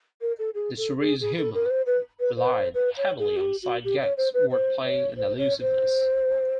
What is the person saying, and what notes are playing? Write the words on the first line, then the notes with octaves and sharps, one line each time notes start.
The series' humor relied heavily on sight gags, wordplay, and allusiveness.
A#4
A4
G#4
A4
G#4
G#4
A4
A#4
B4
C5
B4
B4
C5
B4
C5
B4
C#5
G#4
F#4
G4
F#4
G4
C#5
C5
B4
C5
C#5
C5
C#5
C5